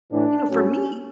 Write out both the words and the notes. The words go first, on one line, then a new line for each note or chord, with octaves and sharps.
You know, for me,
A2 E3 D4
A2 F#3 C#4